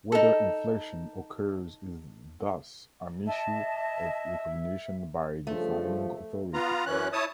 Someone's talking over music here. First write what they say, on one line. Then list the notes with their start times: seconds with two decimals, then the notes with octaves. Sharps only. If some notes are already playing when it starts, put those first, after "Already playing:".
Whether inflation occurs is thus an issue of recognition by a defining authority.
0.12 D#4 A4
3.26 D#5 E5 A5
5.47 G2 C#3 F3 A3
6.54 B3 F4 A#5
6.86 F#2 E3 C#4 F#6
7.13 E4 C#5 A5 D#6